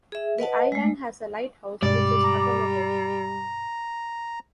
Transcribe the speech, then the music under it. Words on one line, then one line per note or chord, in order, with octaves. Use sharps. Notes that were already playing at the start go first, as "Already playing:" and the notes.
The island has a lighthouse, which is automated.
G#4 E5
B4 D#5 F#5 A5
G#3 A3
G2 B2 G3 G#3 D5
A#5